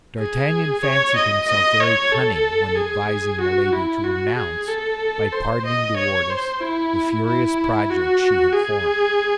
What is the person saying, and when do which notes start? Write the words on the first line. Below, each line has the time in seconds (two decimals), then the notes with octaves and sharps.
D'Artagnan fancied himself very cunning when advising Milady to renounce, by pardoning de Wardes, the furious projects she had formed.
0.19 G#4
0.83 C#5
1.16 D#5
1.48 D#5
1.80 C#5
2.12 A4
2.75 G#4
3.41 F#4
3.72 E4
4.04 F#4
4.37 G#4
4.68 A4
5.32 C5
5.65 D#5
5.97 C#5
6.30 C5
6.60 E4
7.26 E4
7.90 F#4
8.53 G#4